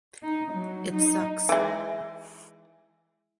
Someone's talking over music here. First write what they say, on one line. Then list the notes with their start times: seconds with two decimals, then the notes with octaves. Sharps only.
It sucks.
0.23 D#4
0.51 F#3
0.93 D#4
1.49 E3 G#3